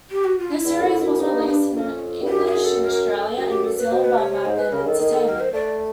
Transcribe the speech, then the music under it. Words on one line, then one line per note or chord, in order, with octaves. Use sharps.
The series was released in English in Australia and New Zealand by Madman Entertainment.
G4
F#4
F4
E4
E2
F#2
F2
F#2
G2 D#4
D#4
D4
F2 C#4 D4
G2
F#2 G4
G#4
A4
A#4
A#4
A4
F#2 G#4
G4
A4
B4
B2 C5
B4
C3 C#5
C#5
G#2 C5
B4
C#3 A#4
D#3 A4
D#3 G#4
A4
A#4
C5
A3 D5